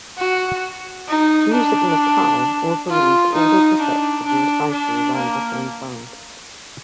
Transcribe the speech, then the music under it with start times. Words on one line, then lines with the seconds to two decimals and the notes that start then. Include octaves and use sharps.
Music Nepal also released audio cassettes of the recital around the same time.
0.18 F#4
1.08 D#4
1.54 D4
2.90 F4
3.35 D#4
3.80 D4
4.26 D4
4.71 D4
5.16 A#3